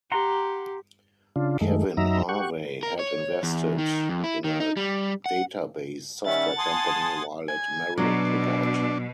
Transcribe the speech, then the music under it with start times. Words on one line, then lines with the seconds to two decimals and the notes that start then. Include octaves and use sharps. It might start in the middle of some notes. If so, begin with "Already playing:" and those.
Kevin Harvey had invested in a database software company while at Merrill Pickard.
0.12 G4 F#5 A#5 C6
1.36 C#3 D4 F4
1.61 F#2 D#3 G#3 A3
1.97 F#2 F#3 D#4 E5 A#5
2.29 G4 F#5 C#6
2.83 A#4
2.99 C#5
3.43 E2
3.78 D#3
4.09 F2
4.24 E4
4.44 D#3
4.60 D#4
4.77 G3
5.26 F#5
6.26 D#3 G3 C#4 E5 F#5 A6
6.58 G#5 A5 C6 D#6
7.48 G#5
7.98 B2 F#3 D4